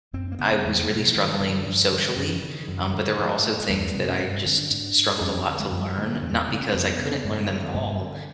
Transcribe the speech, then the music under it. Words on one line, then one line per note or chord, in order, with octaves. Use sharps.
I was really struggling socially. Um, but there were also things that I just struggled a lot to learn, not because I couldn't learn them at all,
F#2 C4
A#3
C#3 B3
E2 B3
A#3
B2 F#3
F3
G2 D#3
F3
D3 E3
G2 F3
D3 E3
F#2 D#3
C#3
F#2
D3
G#2 F3
A3
G#3
E2 A3
C3 B3
C#4
G2 C4
C4
D3
D4
G#2
F2 C#4
C4
D3
G#3
F#2 G3
D3 A#3
C#4
E2 C4
C4
C#3 B3
C4
F2 B3
C#3
G2
D3
G2
D3